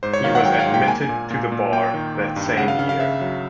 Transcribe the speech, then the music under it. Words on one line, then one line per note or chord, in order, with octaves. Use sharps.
He was admitted to the bar that same year.
G#2 C5
C#5
D#3 F5
F#5
F#3 G5
F5
G#2
G5
A#3 G#5
A#2
A#2
A#2
A#3 G5
D#3
D#3
G2
C#3 F#5
F5
C#3 F5
F5
C#3 E5
F#3